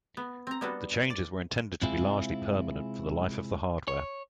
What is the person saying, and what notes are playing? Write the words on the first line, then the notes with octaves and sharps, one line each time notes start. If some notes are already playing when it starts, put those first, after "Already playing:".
The changes were intended to be largely permanent for the life of the hardware.
B3
C4 A#5
G3 A#3 B3 D4 F#4 A4
D5
C3 G#3 C4 E4 F4 G#4
C#5